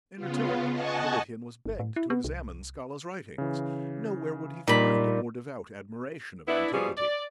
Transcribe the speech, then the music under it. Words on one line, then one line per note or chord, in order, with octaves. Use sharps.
In return, Politian was begged to examine Scala's writings: nowhere would he find a more devout admiration of antiquity.
C#3 B3 F4
D#5 F#5 G#5 A5 C#6
G1
A2
E4
B3
C2
C#3 E3
A#2 G3 A#3 D#4 B5
B3 D4 E4
B2 F3 G3 G#4
D5